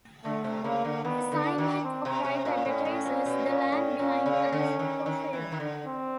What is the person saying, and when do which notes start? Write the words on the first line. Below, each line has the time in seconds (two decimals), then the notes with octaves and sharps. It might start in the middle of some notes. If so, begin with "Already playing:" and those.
The sign at top right advertises the land behind as for sale.
0.25 D3 A3
0.44 C3
0.64 C#3 A#3
0.85 D3
1.04 D#3 B3
1.32 D3
1.45 D4
1.58 D#3
1.84 C4
2.05 C3
2.25 C3 C#4
2.45 A#2
2.65 A2 C#4
2.85 A2
3.06 A#2
3.26 B2
3.46 A#2
3.72 A2
3.99 A#2
4.26 C#3
4.53 D3
4.79 D#3
5.06 D#3
5.33 E3
5.52 D#3
5.60 D3
5.86 C4